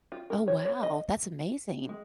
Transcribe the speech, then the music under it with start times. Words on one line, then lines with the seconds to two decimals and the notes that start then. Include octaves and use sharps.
Oh, wow, that's amazing.
0.12 F4
0.30 A#4
0.48 C#5
0.65 C#5
0.83 D#5
1.89 G#3